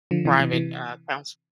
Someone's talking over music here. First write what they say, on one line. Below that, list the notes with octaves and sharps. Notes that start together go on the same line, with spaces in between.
private, uh, counselor.
D3 F3
C3 E3
C3 E3
C3 E3